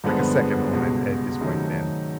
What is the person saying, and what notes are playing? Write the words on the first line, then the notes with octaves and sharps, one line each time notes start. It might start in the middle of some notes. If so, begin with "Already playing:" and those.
Like a second home at at this point then.
G2 D3 F3 G#3 B3
C#2 B2 G3
C3 D#3 F#3 A3 C#4